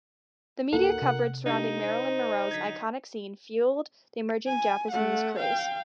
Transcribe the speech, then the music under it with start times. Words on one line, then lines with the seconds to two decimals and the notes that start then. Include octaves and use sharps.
The media coverage surrounding Marilyn Monroe's iconic scene fueled the emerging Japanese craze.
0.73 D1 A#3 D#4 F#4 A4 A#4 F#5
1.02 C3
1.46 A#3 B3 D4 D#4 G4
1.82 C5
2.51 D3 F#3 G#6 B6
4.47 G#5
4.92 A3 F#5
5.39 F5 G5